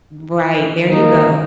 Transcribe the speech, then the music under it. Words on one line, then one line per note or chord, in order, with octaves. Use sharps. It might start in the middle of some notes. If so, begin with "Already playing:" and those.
Right, there you go.
D#3 A#3 D#4